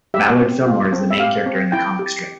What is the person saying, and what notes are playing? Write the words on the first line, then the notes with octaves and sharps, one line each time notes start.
Mallard Fillmore is the main character in the comic strip.
G4 E5
C4
F4
C4
E5
G4 F5
C4
E4 G5
G4